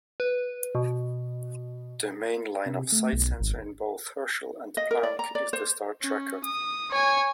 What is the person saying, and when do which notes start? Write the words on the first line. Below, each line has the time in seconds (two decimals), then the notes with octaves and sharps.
The main line-of-sight sensor in both "Herschel" and "Planck" is the star tracker.
0.20 B4
0.75 B2
2.66 C3
2.92 A3
3.13 B1
3.40 G#1
4.77 D#5
4.91 A#4
5.03 D5
5.19 A#5
5.35 D5
5.53 C5
6.02 C#4
6.44 D#6
6.91 C#5 G#5